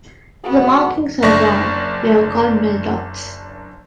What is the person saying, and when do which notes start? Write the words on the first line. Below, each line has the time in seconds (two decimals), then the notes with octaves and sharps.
If the markings are round they are called mil-dots.
0.44 B3 F#4 G#4
1.22 F#1 D4 C#6 A#6